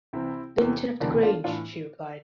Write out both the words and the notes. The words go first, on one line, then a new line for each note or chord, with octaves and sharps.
'Linton of the Grange,’ she replied.
C2 C3 E3 C4 E4
F1 E2 C3 E3
E1 D2 C3 E3 A#3 D4
D4 F4
A2 E3 D4 F4